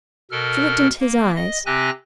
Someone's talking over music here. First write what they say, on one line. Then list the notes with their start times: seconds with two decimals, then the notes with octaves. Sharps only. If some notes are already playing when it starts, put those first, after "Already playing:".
She looked into his eyes.
0.31 B2 A4 A#4 F6
1.00 A#3
1.35 D#5
1.66 C3 C4 G4 G#5 F#6 A#6